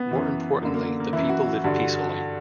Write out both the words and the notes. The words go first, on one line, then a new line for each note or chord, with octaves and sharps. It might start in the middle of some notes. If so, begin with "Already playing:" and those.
More importantly, the people live peacefully.
Already playing: B3
F#2 E3
F#2 D3 A#3
A#3
A#3
A#3
F#2 E3 E4
F#4
F#4
G2 D3 F#4